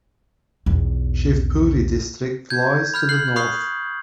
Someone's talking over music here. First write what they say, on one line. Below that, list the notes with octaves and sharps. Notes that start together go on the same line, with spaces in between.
Shivpuri District lies to the north.
B1 E2
G6 G#6
B5 F6 G6
F#6 C7 F#7
B5 C#6 D#6 F#6 C7